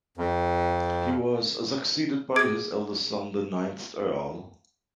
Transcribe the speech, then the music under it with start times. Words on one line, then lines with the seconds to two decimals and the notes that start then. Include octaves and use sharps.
He was succeeded by his eldest son, the ninth Earl.
0.17 F2
2.36 G#4 D6 G#6 D7